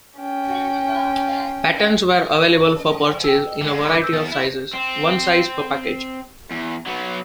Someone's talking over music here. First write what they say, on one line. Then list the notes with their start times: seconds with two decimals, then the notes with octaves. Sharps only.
Patterns were available for purchase in a variety of sizes, one size per package.
0.20 C#4 G5
3.24 G5 E6
3.61 D3 G#3
3.86 B5 D6
4.00 E6 G6 A#6
4.13 E2 A6
4.32 E4
4.74 C4
6.51 E2
6.87 F#3 B3